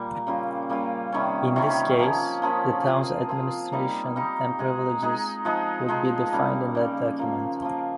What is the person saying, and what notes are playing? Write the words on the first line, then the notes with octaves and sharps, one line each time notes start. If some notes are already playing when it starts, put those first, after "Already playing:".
In this case, the town's administration and privileges would be defined in that document.
Already playing: A#2 G3 A#3
C#3 G3 A#3 F4
C#3 G3 A#3 F4
C3 D#3 G3 C#4
C3 D#3 G3 C#4
F3 A#3 C#4 G#4
F3 A#3 C#4 G#4
F3 C4 F4 G#4
F3 C4 F4 G#4
G3 A#3 D#4
G3 A#3 D#4
G#3 D#4 G#4
G#3 D#4 G#4
F3 G#3 D#4
F3 G#3 D#4
C#3 G3 A#3
C#3 G3 A#3
F3 A#3 F4
F3 A#3 F4